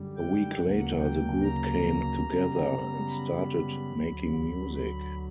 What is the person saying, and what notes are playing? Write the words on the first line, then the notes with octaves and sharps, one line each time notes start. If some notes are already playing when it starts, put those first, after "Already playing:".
A week later, the group came together and started making music.
Already playing: F#2 D3 G3
G5
D2 C#3 F#3 A#3 F#5
G5
A#5
F#2 C#3 G3 B3
B5
D2 D3 F#3
B5